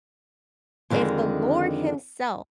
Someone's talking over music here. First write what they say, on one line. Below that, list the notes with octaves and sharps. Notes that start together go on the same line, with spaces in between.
if the Lord himself
F2 D3 D#3 G#3